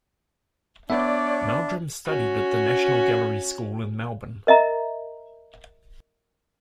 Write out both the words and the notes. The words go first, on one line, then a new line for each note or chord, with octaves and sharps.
Meldrum studied at the National Gallery School in Melbourne.
B3 D4 C#5 D5 E5
C#4 F#4
A#4 D#5 E5 A#5